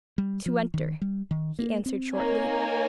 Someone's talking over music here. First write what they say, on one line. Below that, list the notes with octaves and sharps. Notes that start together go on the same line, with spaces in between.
'To enter,' he answered shortly.
G3
F3
D#3
G3
D#3
A#3
C4
A#3 D#4 A#4 C#5 G#5